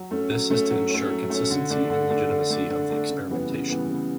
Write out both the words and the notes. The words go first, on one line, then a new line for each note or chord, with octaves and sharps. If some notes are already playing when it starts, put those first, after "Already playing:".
This is to ensure consistency and legitimacy of the experimentation.
Already playing: F#3
A3 C#4
F#3
A3 C#4
F#3
A3 C#4
F#3
A3 C#4
D3
A3 D4
D3
A3 D4
D3
A3 D4
D3
A3 D4
C#3
E3 G3 B3
C#3
E3 G3 B3
C#3